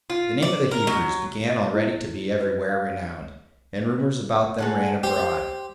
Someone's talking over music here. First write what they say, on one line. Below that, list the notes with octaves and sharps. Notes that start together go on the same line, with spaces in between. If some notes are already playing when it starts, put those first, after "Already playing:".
The name of the Hebrews began already to be every where renowned, and rumors about them ran abroad.
F4
D5
A#4
F#3
D#5
E4
B4
F5
G#3 A4 F#5
G4 C5